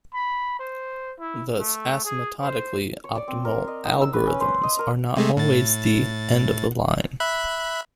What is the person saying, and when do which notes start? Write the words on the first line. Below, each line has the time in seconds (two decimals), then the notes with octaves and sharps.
Thus asymptotically optimal algorithms are not always the "end of the line".
0.14 B5
0.59 C5
1.19 E4
1.59 A3
2.05 G#4
2.41 C5
3.04 C#5
3.15 D5
3.28 C4
3.45 A#4
3.68 D#5
3.85 D#4
4.01 E6
4.13 B4
4.26 C#4
4.40 C5
4.63 D#5
4.79 A#4
5.17 C3 G#3 A3
5.37 A2 A6
7.20 E5 B5 F#6